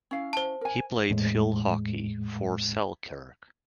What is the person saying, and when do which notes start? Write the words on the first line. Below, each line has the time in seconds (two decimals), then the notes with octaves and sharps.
He played field hockey for Selkirk.
0.11 C#4 E4 F5
0.33 C5 A5
0.61 A#4 G#5
1.10 E2 A2 G#3